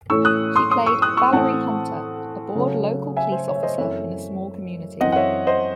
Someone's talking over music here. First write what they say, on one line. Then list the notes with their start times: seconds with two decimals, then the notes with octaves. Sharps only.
She played "Valerie Hunter", a bored local police officer in a small community.
0.10 A2 E3 A3 C#4 C#6 E6
0.25 D#6 F#6
0.56 C6 D#6
0.71 C6 D#6
0.86 C#6 E6
1.02 D#6 F#6
1.17 C#6 E6
1.33 A2 E3 C4 F#5 A5
2.55 C#3 F#3 A3 C#4
3.17 E5 G#5
3.32 C5
3.48 C#5
3.56 E5
3.63 C5 D#5
3.78 F#2 E3 A3 C4 C#5 E5
5.01 F#2 E3 C4 D#5 F#5
5.12 F#5
5.16 C#5 E5
5.47 C5 D#5